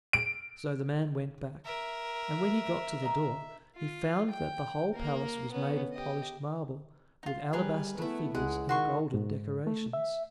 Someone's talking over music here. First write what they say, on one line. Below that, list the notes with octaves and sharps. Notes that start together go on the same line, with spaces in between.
So the man went back, and when he got to the door, he found that the whole palace was made of polished marble, with alabaster figures and golden decorations.
D7
A#4 E5
D#5 A#5
F4
G5
A#3 A#4
B3 C#4
G4 D#5
D#4 F4
G3 G#4 A#4 B4
A3 B3 E4
C#2 G#3 F#5
D#3 F#4 C6 C#6
G#2
A3
E5